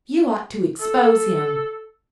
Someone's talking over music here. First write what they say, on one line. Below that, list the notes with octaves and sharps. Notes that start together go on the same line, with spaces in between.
"You ought to expose him."
A4